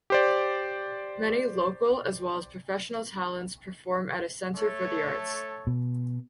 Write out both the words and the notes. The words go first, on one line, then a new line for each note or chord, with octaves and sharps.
Many local as well as professional talents perform at A Center for the Arts.
G4 C5 D5
A3 A4 C#5
B2